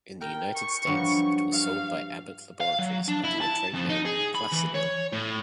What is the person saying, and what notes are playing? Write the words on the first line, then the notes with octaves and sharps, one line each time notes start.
In the United States it was sold by Abbott Laboratories under the tradename Placidyl.
A#4 G5
C#6
G2 F3 F#3
F5
F5
F#3
D4
E4
A5
F2
D#4
G#4
B5
E3
C#5
A2